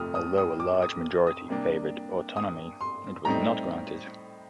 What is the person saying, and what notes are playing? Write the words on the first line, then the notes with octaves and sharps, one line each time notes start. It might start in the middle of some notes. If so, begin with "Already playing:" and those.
Although a large majority favoured autonomy, it was not granted.
Already playing: F2 C3 F3 A3 D#6 F6
D#6
D#6
D6
D#6
D#6
C3 G3 A#3 D4
D#6
C6
A2 G3 C4 D#4 A#5